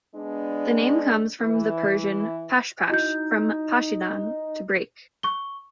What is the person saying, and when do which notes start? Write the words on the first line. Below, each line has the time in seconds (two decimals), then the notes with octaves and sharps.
The name comes from the Persian "pash-pash", from "pashidan", to break.
0.15 G#3 B3 D4
1.41 E3 E4
2.89 D#4 E4 F#4 G6
5.23 C#6 G7